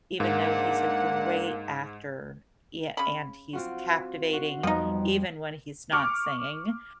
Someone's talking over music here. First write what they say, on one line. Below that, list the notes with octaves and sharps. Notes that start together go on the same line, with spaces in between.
even though he's a great actor, yeah, and he's captivating even when he's not singing,
G#2 A#3 D4 F#5
C#3 B5
C4 F4 F#4
F#4 C7
F2 F3 G3 B3 D#4
C#6 D6 F6